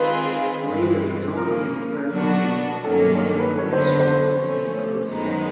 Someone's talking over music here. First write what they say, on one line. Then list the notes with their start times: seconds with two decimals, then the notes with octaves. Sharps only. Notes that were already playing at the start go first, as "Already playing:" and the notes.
Later Johann Bernoulli and Roger Cotes worked on the curve as well.
Already playing: D#3 G#3 C4 F4 G#4 B4
0.63 G2 E3 G#3 C4
1.37 C#3 F3 A#3 A#4
2.10 B2 F#3 B3 D4 F#4
2.84 G2 D#3 F#3 A#3 C#4 A4
3.39 B4
3.58 F2 D3 F#3 B3 C#5
3.73 C5
3.86 B4
4.00 C5
4.32 F3 A3 C#4
5.06 F#2 D#3 G#3 B3 D#4